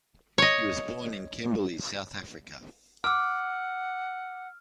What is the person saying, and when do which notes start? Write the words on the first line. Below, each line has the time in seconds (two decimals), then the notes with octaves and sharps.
He was born in Kimberley, South Africa.
0.38 C#5 D#5
3.04 F#5 D6 E6 F6